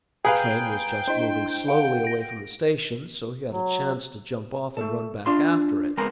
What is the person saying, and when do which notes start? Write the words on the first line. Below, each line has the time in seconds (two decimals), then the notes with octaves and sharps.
The train was just moving slowly away from the station, so he had a chance to jump off and run back after it.
0.25 G#4 B4 F5 G5 A#5
1.08 D4 E4 C5 D#5
1.68 F5 F#5
2.05 A#6 D7
3.52 F#3
4.77 A3 A4
5.26 D4 F4 C6
5.97 C#2 G#3 B3 C4 A#4 A#5